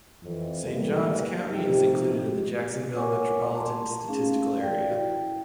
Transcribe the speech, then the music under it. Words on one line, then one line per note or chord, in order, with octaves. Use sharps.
Saint Johns County is included in the Jacksonville Metropolitan Statistical Area.
F2 E3
G#2 D3 E3 G3 A3 A#3
C3 F3 D#4 G4
A#4 C#5 F#5 G#5 C#6 D6
A5 A#5 C6
A3 C#4 D#4 G#4 F5
F#4 D5 F5 G5
E4 G5